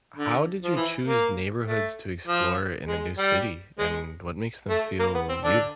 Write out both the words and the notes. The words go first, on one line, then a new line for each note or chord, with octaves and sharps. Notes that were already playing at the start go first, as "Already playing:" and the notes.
How did you choose neighborhoods to explore in a new city and what makes them feel you?
D3
F3
E3
A#3
A3
F3
G#3
G3
G#3
A3
A#3
B3
C4
D3 D4